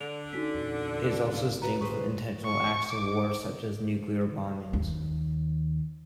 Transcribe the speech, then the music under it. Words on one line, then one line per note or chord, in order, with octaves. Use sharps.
It is also distinct from intentional acts of war such as nuclear bombings.
D3 F7
C#4 D#4 F#4 B6
E2 A#2
D1 A2 C#4 F4
F#4 A4 B4 A#5
G#4 B4 C5 C#6
C#6
D6
D#2